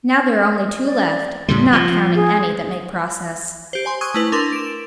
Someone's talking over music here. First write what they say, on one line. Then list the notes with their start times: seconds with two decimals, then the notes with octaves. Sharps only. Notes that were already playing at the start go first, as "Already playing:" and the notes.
Now there are only two left--not counting any that make process.
0.85 D5
1.49 A2 C#3 G3 C6
1.72 F3 A#6
2.15 G#4
3.73 G4 C5
3.85 C5 G#5 C6
4.01 C#6 D#6 E6 F#6 G#6 D#7
4.14 A3 E4 B4
4.32 D4 A#4 C6
4.52 D7 E7